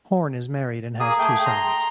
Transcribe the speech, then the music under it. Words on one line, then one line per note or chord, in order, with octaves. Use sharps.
Horn is married and has two sons.
A#3 G#4 D#6
A3 G#4 G5
A#5 C6